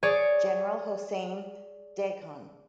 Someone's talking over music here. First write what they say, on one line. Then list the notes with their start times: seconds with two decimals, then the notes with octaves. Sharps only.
General Hossein Dehghan.
0.03 G#4 C#5 D5